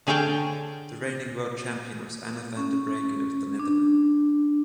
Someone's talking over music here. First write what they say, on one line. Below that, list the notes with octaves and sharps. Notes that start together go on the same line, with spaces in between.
The reigning World Champion was Anna van der Breggen of the Netherlands.
D3 G#4 C#5 F5 G5 A5
C#4
D4